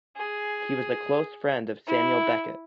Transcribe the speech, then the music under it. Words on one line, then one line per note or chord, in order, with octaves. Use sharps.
He was a close friend of Samuel Beckett.
G#4
E4